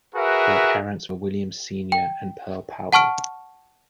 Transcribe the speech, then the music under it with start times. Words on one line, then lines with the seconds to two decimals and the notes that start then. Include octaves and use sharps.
Their parents were William, Senior and Pearl Powell.
0.15 F#4 G#4 A#4 B4 E5
1.92 G5
2.93 F#5 A5 C#6 F6 D7